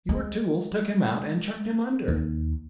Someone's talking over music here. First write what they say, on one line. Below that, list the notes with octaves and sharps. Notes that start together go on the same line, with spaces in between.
Your tools took him out and chucked him under.
G#3
D#2